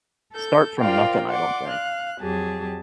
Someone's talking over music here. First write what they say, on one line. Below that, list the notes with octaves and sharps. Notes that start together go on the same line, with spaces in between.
start from nothing, I don't think.
A4 G6
F4 A#4 C5 D5 F5 G5
D5 F#5 C6 D6
F5 F#6
F2 F#3 G4 G#4 A5